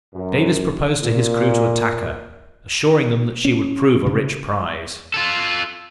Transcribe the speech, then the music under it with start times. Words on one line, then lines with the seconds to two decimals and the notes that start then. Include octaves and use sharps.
Davis proposed to his crew to attack her, assuring them that she would prove a rich prize.
0.15 F#2
1.02 A#2
3.45 C#4
4.06 C#3
5.14 F4 A4